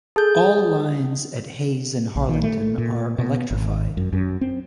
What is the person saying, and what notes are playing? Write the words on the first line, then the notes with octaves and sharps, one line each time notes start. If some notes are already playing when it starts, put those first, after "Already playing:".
All lines at Hayes and Harlington are electrified.
G#4 A4 G6
A#1
D#3
A3
A#2
B2
G#1
F#2
F#2
C4